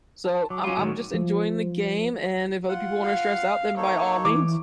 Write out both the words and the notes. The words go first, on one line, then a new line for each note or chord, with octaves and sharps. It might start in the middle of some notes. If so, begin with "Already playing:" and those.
so, I'm I'm just enjoying the game, and if other people wanna stress out, then by all means.
A5
F#3 D6
C#4 F4
A2 D#3
F3
F4 F#5
F5
A#3 D#4 A4 C#5
E3 D6